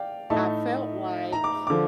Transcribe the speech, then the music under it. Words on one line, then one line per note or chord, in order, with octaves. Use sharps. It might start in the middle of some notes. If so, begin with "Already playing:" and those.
I felt like
Already playing: D5 F5 G5
A2 A3 D#4 A5
A#5
D6
D3 F3 D6